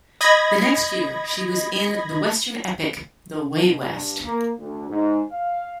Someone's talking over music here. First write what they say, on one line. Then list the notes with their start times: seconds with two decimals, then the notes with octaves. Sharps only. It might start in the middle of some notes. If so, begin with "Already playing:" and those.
The next year she was in the Western epic "The Way West".
0.21 D#5 B5 G#6 A#6
3.59 B2
3.88 G2
4.24 A#3
4.58 D2
4.88 G#2
5.31 F5